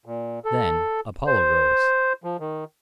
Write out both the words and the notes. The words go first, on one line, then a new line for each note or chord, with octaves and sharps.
Then Apollo rose.
A#2
A4
C5
F3
D#3